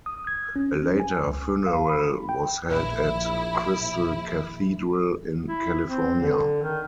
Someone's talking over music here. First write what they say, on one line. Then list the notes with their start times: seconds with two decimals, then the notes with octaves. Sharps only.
A later funeral was held at Crystal Cathedral in California.
0.06 D#6
0.27 G#6
0.56 C#4
0.82 C#4
1.00 G#5
1.27 C#2
1.66 F5
1.89 B5
2.29 G5
2.68 A#1 E4
5.47 E4
5.85 C4
6.21 D3
6.62 D#3